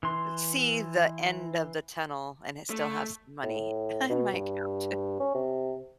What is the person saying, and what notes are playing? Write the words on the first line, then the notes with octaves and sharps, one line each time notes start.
see the end of the tunnel, and it still has money on my account.
E3 C6
A3
A2
B2
G2
C#4
C3